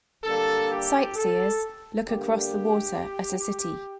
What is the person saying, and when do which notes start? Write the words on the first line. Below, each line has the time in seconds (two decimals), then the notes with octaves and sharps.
Sightseers look across the water at a city.
0.24 D3 G3 A#3 A4
0.70 G4
1.16 A4
2.05 D3 G3 A#3 G4